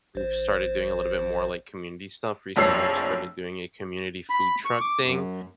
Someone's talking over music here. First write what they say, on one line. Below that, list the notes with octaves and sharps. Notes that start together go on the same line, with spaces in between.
we've started doing a little bit more, like, community stuff, recently, we started doing a community food truck thing,
A1 C5
F1 A#1 F3 C#5 E6 C7
B5
C#6
D6
F#2